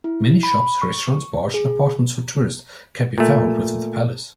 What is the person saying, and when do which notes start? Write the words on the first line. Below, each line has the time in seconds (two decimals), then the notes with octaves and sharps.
Many shops, restaurants, bars and apartments for tourists can be found within the palace.
0.04 E4
0.43 B5
0.82 C#6
1.54 G#4
3.18 A#2 A3